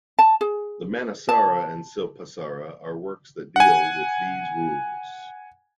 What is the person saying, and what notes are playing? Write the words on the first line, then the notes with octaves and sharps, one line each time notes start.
The Manasara and Silpasara are works that deal with these rules.
A5
G#4
A5
F#5 G#5